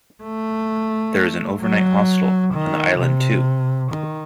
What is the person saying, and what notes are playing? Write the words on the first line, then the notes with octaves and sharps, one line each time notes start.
There is an overnight hostel on the island too.
A3
F#3
D#3
C3
D#3